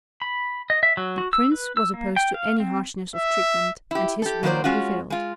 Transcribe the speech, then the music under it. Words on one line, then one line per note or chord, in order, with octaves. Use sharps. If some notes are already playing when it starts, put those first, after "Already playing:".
The prince was opposed to any harshness of treatment, and his will prevailed.
B5
D#5
E5
F#3
F#4
E6
B4
E6
A#3
G5
F5
C4
E5
E4 G4
G4 A4
D#3 F#3 A#3 B4 C5 D5
G#3 C#4 F4 F#4
G#3 F4